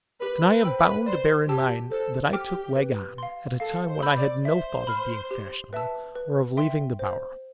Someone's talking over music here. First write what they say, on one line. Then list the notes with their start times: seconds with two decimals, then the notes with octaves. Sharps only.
And I am bound to bear in mind that I took Wegg on, at a time when I had no thought of being fashionable or of leaving the Bower.
0.21 G4 B4
0.50 B4
0.64 C5 G5 B5 E6
0.78 B4
1.06 C5 D5
1.48 G4 A5 E6
1.91 A4 C5
2.33 G4 G5 D6 F6
2.76 B4
3.18 F5 C6
3.60 A4 F5
3.89 C5
4.02 B5 E6 G6
4.17 D5
4.45 C5 E5
4.87 B5 F6
5.31 G4
5.73 B4 E5 A5 E6
6.15 B4
6.57 E5 G5 C6
6.99 C5